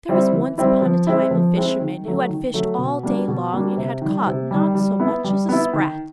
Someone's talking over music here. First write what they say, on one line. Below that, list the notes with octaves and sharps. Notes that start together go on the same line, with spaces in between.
There was once upon a time a fisherman who had fished all day long and had caught not so much as a sprat.
G3 C4 E4
E3
G3 C4 E4
F3
G#3 C4 E4
F3
G#3 C4 E4
D#3
F#3 A3
D#3
F#3 A3
B2
G3 A#3 D4 F#4
B2
G3 A#3 D4 F#4
C3
D#3 G3
C3
D#3 G3
G3
B3 E4
G3
B3 E4
D#3